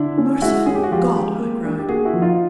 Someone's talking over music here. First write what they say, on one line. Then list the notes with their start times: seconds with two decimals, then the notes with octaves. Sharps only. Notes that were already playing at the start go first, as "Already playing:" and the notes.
"Merciful God!" I cried.
Already playing: D3 D4 E4
0.18 C#4
0.41 G#3 E4 F#4
0.66 C#4 G#4
0.75 G4
0.83 F#4
0.91 F3 F4 G4
1.15 G#3
1.39 A#3
1.65 D4
1.79 G4
1.89 A#3 F#4 G#4
2.05 E4 F#4
2.13 F3
2.21 D#4 F4